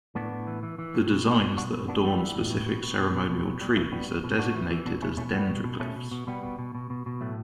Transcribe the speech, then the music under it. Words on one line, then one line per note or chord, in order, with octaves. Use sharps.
The designs that adorn specific ceremonial trees are designated as 'dendroglyphs.
A2 B3 D4
A2
E3
E3
E3
A2
B2
B2
B2
B2 D4 F#4
B2
B2 B3 D4
E3 G3 B3
E3
A2
B2
B2
B2
B2
B2
B2
B2 F#3
B2 G3
B2 F#3 A3
B2 G3 B3
B2
B2
A2 D4 F#4
E3
E3
B2 B3 D4
B2 A3 C#4
B2 A3 C#4
B2 G3 B3
B2
B2
B2 A3 C#4
B2
B2
B2 G3 B3
B2
B2
B2
B2
B2
A2 F#3 A3